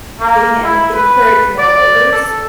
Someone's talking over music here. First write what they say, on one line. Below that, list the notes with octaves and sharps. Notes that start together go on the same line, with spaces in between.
thing and encourage more voters
A#3
E4
B4
D5
A4